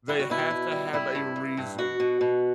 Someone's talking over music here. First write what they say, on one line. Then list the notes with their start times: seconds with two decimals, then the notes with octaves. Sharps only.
They have to have a reason
0.08 G3 E4
0.19 F#4
0.30 B2 E4
0.50 B2
0.72 G3
0.93 G3 E4
1.15 G2
1.36 G2
1.57 G2
1.78 B2 F#4
2.00 B2
2.21 B2